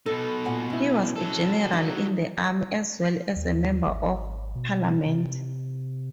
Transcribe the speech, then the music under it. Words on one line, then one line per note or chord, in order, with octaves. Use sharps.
He was a General in the Army as well as a Member of Parliament.
B2 D#4 A4
A#2 F#5 G#5
C#4 E4
F#3 A4
D#4
D#2
G#1
B2
C3